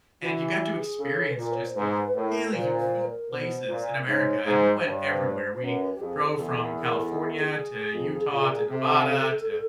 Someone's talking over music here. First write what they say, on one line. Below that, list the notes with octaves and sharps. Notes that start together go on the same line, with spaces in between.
and you got to experience just these really unique places in America, and we went everywhere. We drove from California to Utah to Nevada, to
E3 F#4
G4
F#4
G4
G#4
C#3 A4
B4
A#2 A#4
C#5
C5
G#2 B4
A2 A#4
A#2 C5
C5
A#4
B2 C5
A#2
G#2 C#5
G#2 C5
G2 C#5
C#5
C5
C#5
C5
C5
F#2 B4
G4
F2 G#4
E2 A4
A#4
A#4
A4
G#4
A4
G#4
F2
A#2
C3 A4